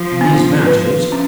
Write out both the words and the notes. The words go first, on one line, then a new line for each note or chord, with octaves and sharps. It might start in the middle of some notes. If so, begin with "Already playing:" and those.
In these matters.
Already playing: F3
B3
B4
C#4